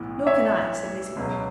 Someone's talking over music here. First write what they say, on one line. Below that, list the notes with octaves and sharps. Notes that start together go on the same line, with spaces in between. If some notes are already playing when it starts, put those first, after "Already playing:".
"Nor can I," said Lizzie.
Already playing: B1 A2 E3 B3
C#5 E5
C#2 B2 F#3